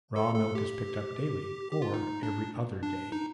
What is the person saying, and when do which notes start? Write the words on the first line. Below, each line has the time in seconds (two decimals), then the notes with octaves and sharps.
Raw milk is picked up daily, or every other day.
0.16 A4
0.35 A4
0.55 G4
1.72 G4
1.82 F4
1.94 D#4
2.23 D4
2.83 D4
3.12 D#4